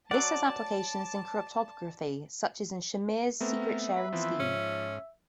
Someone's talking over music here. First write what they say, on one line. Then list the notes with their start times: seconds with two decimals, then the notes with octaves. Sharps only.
This has applications in cryptography, such as in Shamir's Secret Sharing scheme.
0.11 F#3 D5 F#5 A5
3.41 A3 B3 C4 A#4 E5
3.96 B4
4.13 E3 F3 B3 C4
4.40 G#2 C#4